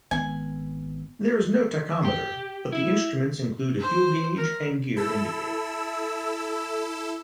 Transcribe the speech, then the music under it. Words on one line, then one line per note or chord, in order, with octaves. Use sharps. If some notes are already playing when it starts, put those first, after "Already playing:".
There is no tachometer but the instruments include a fuel gauge and gear indicator.
G#1 B3 G#5
G4
E4
C5
A#4
E4 A4 E6